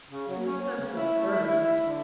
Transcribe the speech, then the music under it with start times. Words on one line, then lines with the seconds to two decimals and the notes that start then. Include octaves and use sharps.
"In the sense of serving it."
0.10 C#3
0.27 F#3
0.45 C#4
0.61 C#4
0.78 C#3
0.95 E4
1.12 A3
1.29 E4
1.46 E4
1.63 E4
1.80 D3